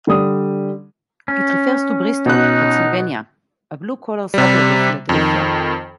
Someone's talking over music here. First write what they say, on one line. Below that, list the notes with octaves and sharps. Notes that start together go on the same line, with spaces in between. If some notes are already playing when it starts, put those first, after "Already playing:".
It refers to Bristol, Pennsylvania, a blue collar suburb of Philadelphia.
D3 G3 D#6
C#4
B2 D#4 F#6
C3 G3
F2 D#3